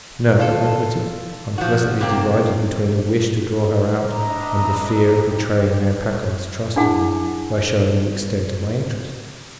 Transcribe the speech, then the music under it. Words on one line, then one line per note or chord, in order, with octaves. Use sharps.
"No," I admitted, unpleasantly divided between a wish to draw her out and the fear of betraying Mayor Packard's trust in me by showing the extent of my interest.
F4 A4
F3 F#4
C3 A#3 C4
D4 B4 D#5 E5 A#5
G4
D4 E4 G#4 F#5 A5